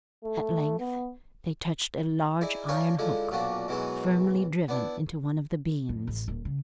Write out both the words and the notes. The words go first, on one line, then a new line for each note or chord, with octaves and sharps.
At length, they touched a large iron hook, firmly driven into one of the beams.
A3
B3
D#4 E4 G#4 D5 E5
D4 D#4 F4 A#4 C#5 G#5
D3 F3 G#3 E4
B1 A#2 F3 D4 F#4
B2 D#3 E3 F#3 G#3
B3 D4 E4
F2
A1
D#1
C#3